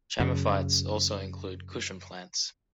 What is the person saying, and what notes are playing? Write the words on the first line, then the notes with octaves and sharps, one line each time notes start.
Chamaephytes also include cushion plants.
F#2 C#3